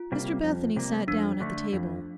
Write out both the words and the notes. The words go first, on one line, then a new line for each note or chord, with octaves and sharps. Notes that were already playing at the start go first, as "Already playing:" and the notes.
Mr Bethany sat down at the table.
Already playing: F4
C3 G3 A#3
F2
C3 G3 A#3
F2 D4
D3 A3
F2